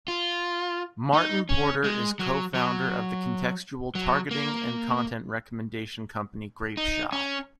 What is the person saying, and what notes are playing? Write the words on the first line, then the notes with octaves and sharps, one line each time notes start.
Martin Porter is co-founder of the contextual targeting and content recommendation company Grapeshot.
F4
D#4
C#4
G#3
F#3
F#3
F#3
A#3
D#4
C#4